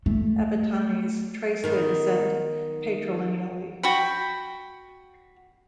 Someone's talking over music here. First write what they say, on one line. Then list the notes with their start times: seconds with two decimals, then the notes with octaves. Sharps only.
Apatanis trace their descent patrilineally.
0.06 A3
1.64 D#3 B3
3.83 F#4 G5 B5